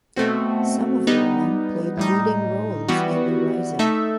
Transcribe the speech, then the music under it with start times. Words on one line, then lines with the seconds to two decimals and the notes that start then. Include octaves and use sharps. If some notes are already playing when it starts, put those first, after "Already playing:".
Some of the women played leading roles in the Rising.
0.16 B2 A3 C4 F#4
1.07 G3 B3 D#4
1.97 A2 G3 D#4
2.88 E3 G3 B3 F#4
3.79 A3 D#4 A4 E5